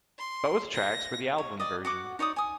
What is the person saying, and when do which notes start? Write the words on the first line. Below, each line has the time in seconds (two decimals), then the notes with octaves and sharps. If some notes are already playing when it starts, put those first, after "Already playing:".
Both tracks were the album version.
0.19 C6
0.74 A#6
1.38 C#5
1.60 D5 D#5
1.85 F#4 F#5 D6
2.19 D#4 C#5 D5 D#6
2.36 G#5 D#6